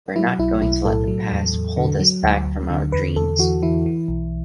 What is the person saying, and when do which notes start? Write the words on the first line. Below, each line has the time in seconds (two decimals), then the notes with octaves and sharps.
We’re not going to let the past hold us back from our dreams.
0.16 F#3 E4
0.39 B1 E4
0.62 B1 E4
0.85 A2 A4
1.08 F#3
1.32 E2
1.54 E2
1.77 D3
2.00 F#3
2.23 D2
2.47 D2
2.70 D3
2.92 E2 B4
3.16 E2 A4
3.39 E3 F#4
3.62 E3 E4
3.86 E3
4.08 B1